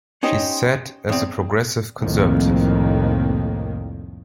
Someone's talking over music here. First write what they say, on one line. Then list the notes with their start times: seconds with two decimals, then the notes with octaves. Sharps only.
She sat as a Progressive Conservative.
0.23 C#4 D#4 G4 C5 D#5
1.09 E2 C4
1.98 C2 F2 A2 D#3 A#3